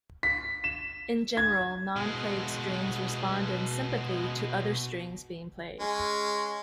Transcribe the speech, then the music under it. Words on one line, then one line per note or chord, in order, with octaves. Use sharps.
In general, non-played strings respond in sympathy to other strings being played.
B6
E7
G#6
B2 G#3
G#3 C#4